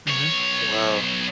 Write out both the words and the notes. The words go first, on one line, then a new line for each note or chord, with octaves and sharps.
Mhm, wow.
B1 C#5